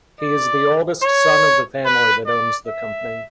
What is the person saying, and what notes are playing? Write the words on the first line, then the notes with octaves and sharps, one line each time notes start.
He is the oldest son of the family that owns the company.
D5
C#5
B4
D5
E5